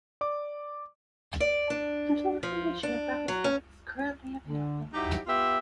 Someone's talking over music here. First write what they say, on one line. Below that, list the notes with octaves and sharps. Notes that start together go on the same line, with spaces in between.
Little information about his death is currently available.
D5 D6
D5
D4
F3
D4
F#3
C#4
D3
F#3 D#4 E4 G4
B3 F4 G4 E5